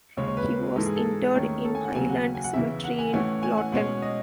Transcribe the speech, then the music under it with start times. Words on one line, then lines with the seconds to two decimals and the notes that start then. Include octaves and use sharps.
He was interred in Highland Cemetery in Lawton.
0.17 D#2 C#3 G#3 C#5
0.28 C#5
0.37 B4
0.76 G#2 E3 G#3 D#4 A4
0.86 G#4
0.96 A4
1.05 G#4
1.35 D#2 D#3 A3 C#4
1.65 A4
1.75 G#5
1.85 F#5
1.94 D#2 C#3 F#3 G#5
2.10 F#5
2.35 G#5
2.44 F#5
2.54 E2 C#3 E3 E5
2.84 F#5
2.99 G#5
3.13 A2 E3 A3 C#4 F#5
3.43 G#5
3.58 F#5
3.72 B2 G#3 C#4 F#5
4.02 D#5